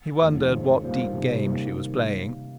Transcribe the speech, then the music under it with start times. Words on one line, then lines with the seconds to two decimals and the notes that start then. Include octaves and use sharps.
He wondered what deep game she was playing.
0.20 F1 D#2 D#3
0.51 C#3 G#3 C#4 G#4 C5
0.83 G2 D#3 A#3 F4 C5
1.14 C3 G3 C4 D#4
1.45 D#3 G3 A#3